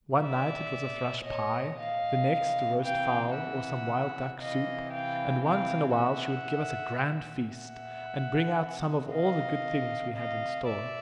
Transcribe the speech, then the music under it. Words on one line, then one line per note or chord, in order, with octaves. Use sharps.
One night it was a thrush pie, the next a roast fowl, or some wild duck soup; and once in a while she would give us a grand feast, and bring out some of all the good things we had in store.
A#2 D5 E5
C#5 D#5
D#5 F5
C3 E3
F5 G5
E5 F#5
C3 E3 D#5 F5
F5 G5
F5 G5
E5 F#5
A#2
E5 F#5
C3 D#3
D#5 F5
D#5 F5
B2 D5 E5